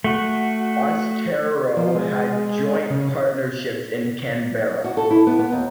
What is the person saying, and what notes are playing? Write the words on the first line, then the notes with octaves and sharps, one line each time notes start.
Austereo had joint partnerships in Canberra.
A3 F#4
F3
G#3
C#3
F#4
A4
E4
B3
B3
D#2